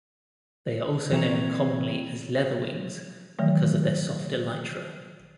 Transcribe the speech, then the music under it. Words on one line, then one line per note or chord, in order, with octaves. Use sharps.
They are also known commonly as leatherwings because of their soft elytra.
E3 C4 C#5 A#5
D#3 E3 F#3 A3